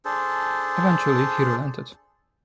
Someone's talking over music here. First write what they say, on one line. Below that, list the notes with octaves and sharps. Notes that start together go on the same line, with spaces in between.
Eventually he relented.
D4 G#4 A4 C5